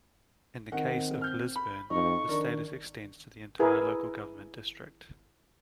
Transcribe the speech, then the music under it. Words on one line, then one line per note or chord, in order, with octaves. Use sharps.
In the case of Lisburn, the status extends to the entire local government district.
D#3 C4 F#5
F6 G6
B5
F2 D#4 C#6
D#3 D4 A#4
E4 G#4 A#4 B4